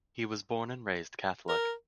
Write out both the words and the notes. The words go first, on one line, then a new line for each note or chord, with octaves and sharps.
He was born and raised Catholic.
A#4